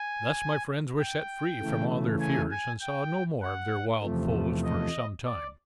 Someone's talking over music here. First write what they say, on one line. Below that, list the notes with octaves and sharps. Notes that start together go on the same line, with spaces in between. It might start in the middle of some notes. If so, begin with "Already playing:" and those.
Thus my friends were set free from all their fears, and saw no more of their wild foes for some time.
Already playing: G#5
G5
C#3 E3 A3
G#5
G#5
G5
F#5
E2 C3 F3 A3
D#5
D5